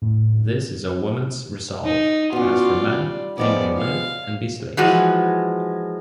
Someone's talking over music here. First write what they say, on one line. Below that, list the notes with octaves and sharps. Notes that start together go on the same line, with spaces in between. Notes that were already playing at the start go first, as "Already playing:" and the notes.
This is a woman's resolve; as for men, they may live and be slaves.
A2
D#4
B3 C#4 F4 F#4 D5
G3
F3 G#3 B3 D5
F5
E3 F3 G#3 F#4